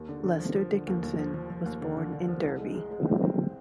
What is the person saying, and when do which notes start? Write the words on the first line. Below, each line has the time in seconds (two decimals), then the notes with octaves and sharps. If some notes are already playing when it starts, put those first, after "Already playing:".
Lester Dickinson was born in Derby.
Already playing: D#2
0.09 D3
0.24 D3
0.40 F3
0.55 F3
0.71 D3
0.87 D#2
1.03 D#2
1.19 F3
1.34 F3
1.50 F3
1.66 D#2
1.82 D3
1.97 D3
2.13 D3
2.28 F3
2.44 C2
2.60 G#3
2.75 G#3
2.91 G#3
3.07 C4
3.22 C4